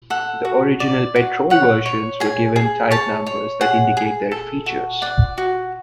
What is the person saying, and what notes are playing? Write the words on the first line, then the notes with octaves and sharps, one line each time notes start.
The original petrol versions were given type numbers that indicate their features.
A4 F#5
F#4
D5
F#4
C#5 F#5
C#5
G#4 G#5
G#4
C#5 A5
C#5
G#4 F#5
G#4
A4
F#4
D5 F#5
F#4